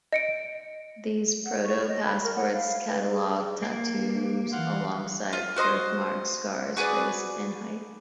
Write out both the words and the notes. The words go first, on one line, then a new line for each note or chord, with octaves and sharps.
These proto-passports catalogued tattoos alongside birthmarks, scars, race, and height.
D#5 C#7 D7
F#5
C#6
D#5
B5
A#4
F#5
F5
B4
G#4
A#3
E3 F5 F#5 C6
F4
F#4 C5 D#5 C6
F#4 G#4 B4 D5